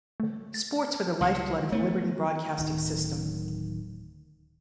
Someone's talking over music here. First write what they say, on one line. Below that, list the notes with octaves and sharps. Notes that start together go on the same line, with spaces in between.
Sports were the lifeblood of the Liberty Broadcasting System.
D3 A3
A6
C#2 B2
A3 B3 C#5
D1 D#3